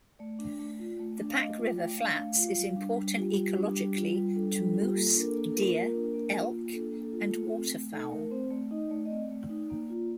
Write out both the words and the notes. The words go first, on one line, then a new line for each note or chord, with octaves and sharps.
The Pack River Flats is important ecologically to moose, deer, elk, and waterfowl.
A3 D5
D4
A3
F4
A3
D4
F5
A3 D#5
F4
A3 G5
D4 F5
A3
F4
G3
D4
G3
F4 G4
G3
D4
G3
F4
G3
D4 A4
A4
G3
A4
F4
G4
A#3 A4
D4 A#4
A4
A#3
A4
F4 A#4
A#3
D4
A#3
F4
A#3
D4 A4
A#3
A4
F4
A3
C4
A3
D#4 A4
A3 A#4
C4 C5
A3 D5
D#4 D#5
A3 D5
D#5
C4 D5
A3
D#4
A#3
F4